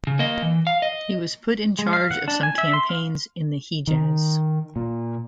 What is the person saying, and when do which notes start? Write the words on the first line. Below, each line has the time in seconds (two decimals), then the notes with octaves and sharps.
He was put in charge of some campaigns in the Hejaz.
0.07 C#3
0.19 A#3 D#5
0.42 E3
0.67 F5
0.82 D#5
1.79 G#3
1.93 F5
2.11 F#5
2.28 D4
2.43 G#5
2.58 E5
2.73 C6
2.89 F5
3.87 D#3
4.76 A#2